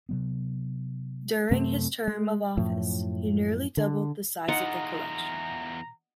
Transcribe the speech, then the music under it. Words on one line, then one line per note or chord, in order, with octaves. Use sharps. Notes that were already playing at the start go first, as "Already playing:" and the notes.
During his term of office he nearly doubled the size of the collection.
C3 F#3 B3
F#2 C3 A3 C4
G#3
F#2 A2 F3
D3
E2 D#4 F4 F#5 A#5